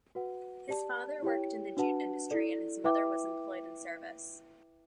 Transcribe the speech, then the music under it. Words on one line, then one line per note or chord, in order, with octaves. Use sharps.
His father worked in the jute industry and his mother was employed in service.
F#4 B4 F#5
G4 D5 A5
E4 G4 C#5 G5
D4 F#4 B4 F#5 A5
E4 A4 D5
E4 B4 E5 G5 D6